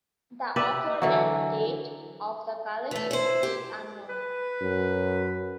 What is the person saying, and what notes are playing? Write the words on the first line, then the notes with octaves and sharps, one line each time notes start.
The author and date of the collection is unknown.
G4 B4 D5 E5
D3 E3 F#3
E3 A3
E4 C5
G4
B4
F#2